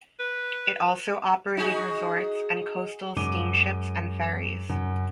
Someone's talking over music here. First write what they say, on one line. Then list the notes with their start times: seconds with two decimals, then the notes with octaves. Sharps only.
It also operated resorts and coastal steamships and ferries.
0.20 B4
1.57 D#4 F#4 G#4
3.16 F#2 G#3 D6 D#7 G7
4.69 F#2